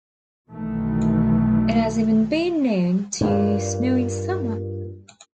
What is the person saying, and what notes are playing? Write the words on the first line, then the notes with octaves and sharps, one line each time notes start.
It has even been known to snow in Summer.
B1 B2 D#3 E3 A3
G2 A#2